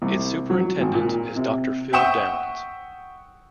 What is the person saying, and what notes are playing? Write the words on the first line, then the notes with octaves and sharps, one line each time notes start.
Its superintendent is Dr.Phil Downs.
C2
F#3
G#1
A#2
C3
E5 F#5 G5 C#6 D#6 E7